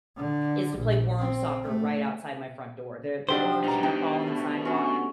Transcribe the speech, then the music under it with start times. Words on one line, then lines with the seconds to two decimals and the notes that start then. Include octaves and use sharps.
is to play worm soccer right outside my front door. The the worms, you know, crawl on the sidewalk,
0.17 D3
0.77 A#1
1.19 C4
1.64 A3
3.29 C3 F#3 G3 D4 D#4 G4 C5
3.64 G2 B2 D#4 A#5
3.83 B2 G#3 D#4 G5
4.28 A3
4.65 B3 C#4 F#4